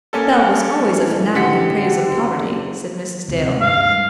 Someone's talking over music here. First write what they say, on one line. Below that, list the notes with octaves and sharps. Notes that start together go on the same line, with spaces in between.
"Bell was always a fanatic in praise of poverty," said Mrs. Dale.
A#3 C#4 A4
A1
D3 G4 B6 C#7
F#1
D2 C3
G2 G#3 F5